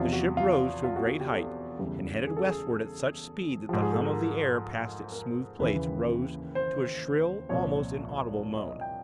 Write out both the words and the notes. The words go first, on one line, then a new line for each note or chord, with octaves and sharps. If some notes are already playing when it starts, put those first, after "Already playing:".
The ship rose to a great height, and headed westward at such speed that the hum of the air past its smooth plates rose to a shrill, almost inaudible moan.
Already playing: E2 C3 F3 F4
F#4
F4
F4
F#4
F#4
G4
A4
E2 C#3 E3 G3
G#4
A4
G#4
G#2 F3 G4
G#4
A4
A#4
A#4
D#2 C#3 E3 B4
C5
C2 A#2 F3 C#5
D#5
D#5
G5